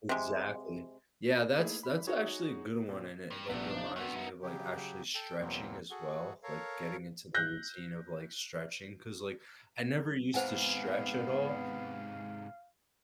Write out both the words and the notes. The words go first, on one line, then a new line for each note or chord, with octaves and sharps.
Exactly, yeah, that's that's actually a good one and it, like, reminds me of, like, actually stretching as well, like getting into the routine of, like, stretching, 'cause, like, I never used to stretch at all,
C3 G#3
A3 A#3 D#4 E4 G#4
B5
D#4 F#4 G#4 C#5
A#2 C4
G2
A#1 C3 G3 A3 B3 F#5
C#3 F3 D4 D#4
C#5
D#3 B3 D4 C6 E6
D#4 E5
C#3 F#3 G4
A4 G5
E2 B2 F#3 A#3 C4
F#4 G#4 A4 F#5
A4 A#4 C#5 F5
F#6 G6 A#6
G#2 C3 B3 C5 F5 F#5 G#5